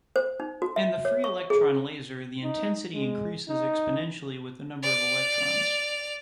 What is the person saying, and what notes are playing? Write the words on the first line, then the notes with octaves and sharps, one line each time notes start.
In the free electron laser the intensity increases exponentially with the number of electrons.
C5
D#4
F#4
E5
C#5
C#6
G#4
D#4
G#3
D#4
D5 F7